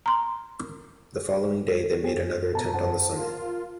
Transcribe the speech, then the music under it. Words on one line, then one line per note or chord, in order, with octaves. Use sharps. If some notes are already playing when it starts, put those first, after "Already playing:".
The following day they made another attempt on the summit.
A#5 C6
B3 G4 G#4
F#2
G2 B2 A5 A#5
F#2 C5 F#5 A5
F4 A#4